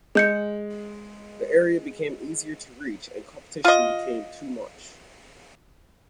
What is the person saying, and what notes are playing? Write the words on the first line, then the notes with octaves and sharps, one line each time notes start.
The area became easier to reach and competition became too much.
G#3 G#4 G6 C#7
F4 D#5